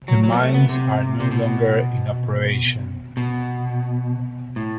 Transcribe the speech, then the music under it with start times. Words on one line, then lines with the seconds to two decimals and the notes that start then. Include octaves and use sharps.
The mines are no longer in operation.
0.08 F#3
0.23 F#3
0.33 B3
0.40 A3
0.54 B3
0.69 C3
1.20 C3
1.31 B2
3.17 B2
4.56 A2